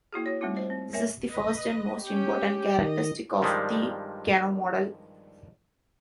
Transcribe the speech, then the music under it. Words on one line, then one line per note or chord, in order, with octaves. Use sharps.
This is the first and most important characteristic of the Kano model.
A#3 E4 F#4 G#4
F#4 C#5
G3 A3 C4 D#4 F4
C5 D#5
C4
A#4 C#5 D#5 E5 G5 G#5
B4 D#5
C#4 G4 G5
D#3 D#5
G2 D#3 F3 G3 G#3